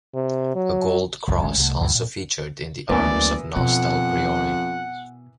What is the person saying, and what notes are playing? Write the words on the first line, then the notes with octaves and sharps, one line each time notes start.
A gold cross also featured in the arms of Nostell Priory.
C3
F#3
F#1 C#2 F#2 F#3
A1 G#3 C#4
C2 E3 A3
D2 G2 C3 E3
A#2
F#1 D2 E3 B3 A#4 D5
F2 B2 F#5